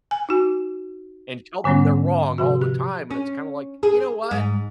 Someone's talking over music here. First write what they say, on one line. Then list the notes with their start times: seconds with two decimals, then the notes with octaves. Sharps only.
and tell them they're wrong all the time, and it's kinda like, "You know what?"
0.11 G#5
0.29 D#4 F#4
1.64 G#2 D3 G3 B3 C#4
2.38 C3 F3 F#4
2.62 G4
3.11 C#4
3.83 G#4
4.31 G#2